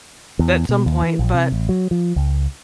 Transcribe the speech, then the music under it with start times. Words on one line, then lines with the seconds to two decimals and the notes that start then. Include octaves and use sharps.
that some point, but,
0.39 E2
0.69 B2
0.86 D#2
1.02 E3
1.19 A#1
1.34 C3
1.52 A1
1.69 F#3
1.91 F3
2.16 C#2